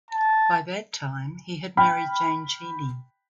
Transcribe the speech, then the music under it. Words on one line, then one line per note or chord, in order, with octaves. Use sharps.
By that time, he had married Jane Cheney.
A5
G5 B5 F6